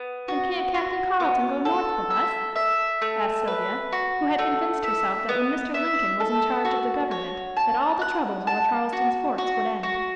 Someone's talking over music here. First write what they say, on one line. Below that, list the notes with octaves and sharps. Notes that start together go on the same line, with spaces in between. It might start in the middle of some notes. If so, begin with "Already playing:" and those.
"Then can't Captain Carleton go north with us?" asked Sylvia, who had convinced herself that when Mr. Lincoln was in charge of the Government that all the troubles over Charleston's forts would end.
Already playing: B3
F#4
F#4
B3
A4
E5
E5
A3
B4
F#4
A3
E5
B3
E5
A4
F#4
C#5
A5
F#5
A5
F#4
F#4
F#4